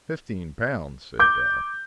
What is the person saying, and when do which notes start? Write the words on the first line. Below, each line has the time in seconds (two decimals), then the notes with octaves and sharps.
"Fifteen pounds!" said Bell.
1.19 D6 G6